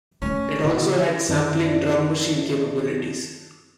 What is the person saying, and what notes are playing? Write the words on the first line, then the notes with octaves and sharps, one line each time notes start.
It also had sampling drum machine capabilities.
A3 C#4 E4
B2 D3
F#2 D#3 C4 D5 E5 A5